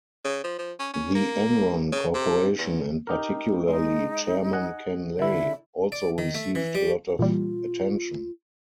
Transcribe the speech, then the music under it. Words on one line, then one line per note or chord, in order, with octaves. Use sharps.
The Enron Corporation, and particularly Chairman Ken Lay, also received a lot of attention.
C#3
F3
F3
C#4
C#4
A#3
C#3
C3
E2
D#4 G4 A#4
G#3 D#4
D#5 F#5 G#5
D3 E4 E5
D5
D#3
A3
E3
G3
A#2 E3 G3 F4